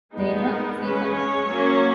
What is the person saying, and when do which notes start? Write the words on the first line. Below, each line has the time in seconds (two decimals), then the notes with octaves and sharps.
Jaina C. Sanga.
0.13 G#3 B3 D#4
0.47 A#4
0.80 G#3 C#4 B4
1.14 C#5
1.49 F#3 A#3 C#4